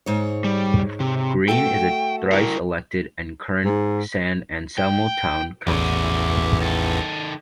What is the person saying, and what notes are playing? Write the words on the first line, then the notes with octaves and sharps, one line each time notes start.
Greene is a thrice-elected and current San Anselmo town councilman.
G#2 C#5
G3
C3
A3 F#4 A4 G5
E4 A#4
G#2
G5
A1 E2 F#4 D5
D#3 A4